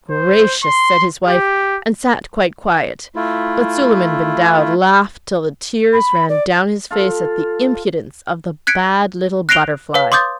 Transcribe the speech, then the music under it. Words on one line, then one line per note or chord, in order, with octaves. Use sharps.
'Gracious!' said his wife, and sat quite quiet; but Suleiman-bin-Daoud laughed till the tears ran down his face at the impudence of the bad little Butterfly.
C5
C6
G4
A3 E4 F4
B5
D5
F4 A4
F#6 G#6 B6 C#7 D7
F#6 A#6 C7 D7 F7 G7
B4 C#5 F5
C6 D6 D#6 G6 A6